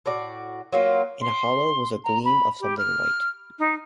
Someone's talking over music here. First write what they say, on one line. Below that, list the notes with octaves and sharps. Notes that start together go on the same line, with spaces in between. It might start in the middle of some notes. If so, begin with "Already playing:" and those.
In a hollow was a gleam of something white.
A2 F#4 D5
F#3 A#3 F4
C6
A#5
B5
G4
F6
D#4